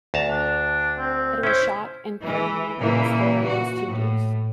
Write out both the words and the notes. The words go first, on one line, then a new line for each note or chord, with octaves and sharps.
It was shot in Paramount Astoria studios.
D2 A5 A#5
D4
C4
C#4 E4 C5
E3
A#2 C#3 E3 A#3
F#4
A2